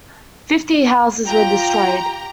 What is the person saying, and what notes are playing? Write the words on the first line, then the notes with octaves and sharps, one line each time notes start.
Fifty houses were destroyed.
F4 G4 G5 A#5